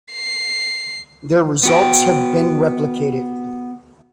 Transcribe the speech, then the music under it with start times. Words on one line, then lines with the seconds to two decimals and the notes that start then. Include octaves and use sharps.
Their results have been replicated.
0.12 C7
1.63 B3 F#4 G5